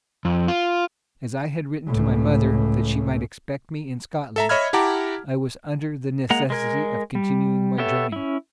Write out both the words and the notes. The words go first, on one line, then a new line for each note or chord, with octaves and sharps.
As I had written to my mother that she might expect me in Scotland, I was under the necessity of continuing my journey.
F2
F4
C#2 A2
A4 E5 A#5
C#5 D#5 E5 B5 F6 G#6
E4 G4 F#5 A5 A#5 D6
G#3 A#3 F#5 A#5
G#3 A#4 G#5
G3
B3 G4 A4 C#5 E5
C#4 E4